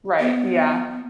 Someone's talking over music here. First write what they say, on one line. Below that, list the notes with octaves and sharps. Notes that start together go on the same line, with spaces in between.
Right, yeah.
B3